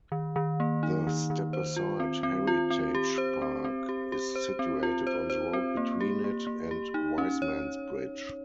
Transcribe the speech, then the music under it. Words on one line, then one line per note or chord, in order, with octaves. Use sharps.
The Stepaside Heritage Park is situated on the road between it and Wisemans Bridge.
D#3
D#3
A#3
D#4
D#3
D#3
C5
F4
C4
C4
F4
C4
G4
C5
C4
C4
G4
G4
C5
C4
F4
C5
C5
C4
A#3
G4
A#3
A#3
G4
D#4
C#4
C#5